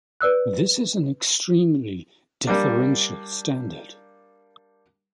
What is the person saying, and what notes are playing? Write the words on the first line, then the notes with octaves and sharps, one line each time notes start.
This is an extremely deferential standard.
B4 D5 E6 F#6
G3 A#3 D4